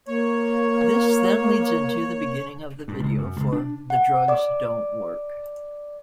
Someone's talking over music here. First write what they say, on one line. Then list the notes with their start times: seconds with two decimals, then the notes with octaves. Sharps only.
This then leads into the beginning of the video for "The Drugs Don't Work".
0.08 A#3 C#5
2.88 G2
3.00 C#2
3.18 F#2
3.36 C#2
3.52 D4
3.90 F#5
4.28 D5 D6